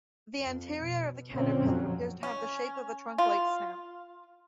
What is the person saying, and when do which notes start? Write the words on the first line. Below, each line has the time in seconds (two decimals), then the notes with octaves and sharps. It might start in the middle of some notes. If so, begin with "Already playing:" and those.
The anterior of the caterpillar appears to have the shape of a trunk-like snout.
0.40 F2
0.79 B2
1.32 A#2 D3 C4 C#4
1.62 F2 F#3
2.23 C#4
3.18 F4